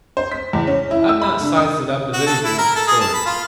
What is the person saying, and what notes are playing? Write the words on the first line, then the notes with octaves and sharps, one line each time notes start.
I've not sized it up as anything of the sort.
C5
B6
E2
C#4
E4
E6
B5
D3
D#6
F#4
A4
E4
A#4
A4
G#4
A5
B5
F4